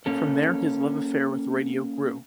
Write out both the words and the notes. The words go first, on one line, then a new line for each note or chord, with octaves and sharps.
From there his love affair with radio grew.
A#3 C#4 A4